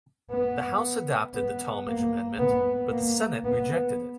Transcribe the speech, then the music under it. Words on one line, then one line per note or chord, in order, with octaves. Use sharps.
The House adopted the Tallmadge Amendment, but the Senate rejected it.
B3
B3
A#3
B3
A#3
B3